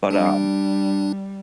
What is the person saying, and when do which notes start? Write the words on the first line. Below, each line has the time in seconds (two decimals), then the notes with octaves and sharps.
but, um,
0.10 G3 D4